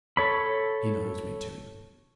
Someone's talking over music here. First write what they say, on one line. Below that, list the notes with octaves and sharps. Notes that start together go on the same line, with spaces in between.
He knows me too.'
A4 C#5 B5